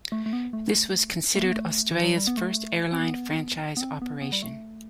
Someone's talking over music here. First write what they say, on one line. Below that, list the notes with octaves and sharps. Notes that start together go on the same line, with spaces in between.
This was considered Australia’s first airline franchise operation.
A3
A3
B3
A3
A3
B3
A3
E3
F#3
G3
B3
A3
C4
B3
B3
C4
B3
B3
G3
A3